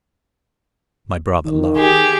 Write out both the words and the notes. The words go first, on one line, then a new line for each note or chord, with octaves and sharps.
My brother laughed.
D#3
G4 G#4